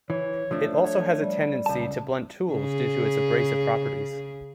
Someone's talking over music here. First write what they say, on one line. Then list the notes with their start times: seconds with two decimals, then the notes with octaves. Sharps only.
It also has a tendency to blunt tools due to its abrasive properties.
0.10 E3 C#5
0.51 F3 A3 D4
0.83 C#5
1.22 G3
1.66 C#2 A5
2.50 C#3 G#4